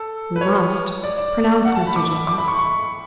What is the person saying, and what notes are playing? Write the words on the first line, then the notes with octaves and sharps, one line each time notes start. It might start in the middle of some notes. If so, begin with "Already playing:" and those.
"We must," pronounced Mr. Jones.
Already playing: A4
B4
C#5
D5
D5
F#5
A5
B5
D6
D6
B5
C#6
C#6